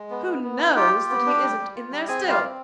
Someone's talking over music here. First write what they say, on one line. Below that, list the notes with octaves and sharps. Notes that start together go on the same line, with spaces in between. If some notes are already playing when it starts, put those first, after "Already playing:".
Who knows that he isn't in there still?'
Already playing: G#3
B3
B3
B3
D#4
F4 G4 G5
F4
B3
D4
G3
G3
F4
G3
C4 G#4 G#5
G3 F4 F5
C4